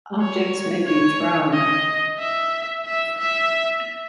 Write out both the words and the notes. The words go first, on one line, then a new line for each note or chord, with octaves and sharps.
Objects may be thrown.
C#5
C#5
D#5
E5
E5
E5